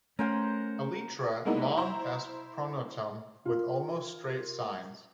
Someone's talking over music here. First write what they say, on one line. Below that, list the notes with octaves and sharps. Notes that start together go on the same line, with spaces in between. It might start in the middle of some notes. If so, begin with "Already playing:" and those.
Elytra long as pronotum and with almost straight sides.
A3 C#4 A#4 C5 F#5
G#3 A#3 B3 D#4 E4
E4 C5 A#5
F4 A#4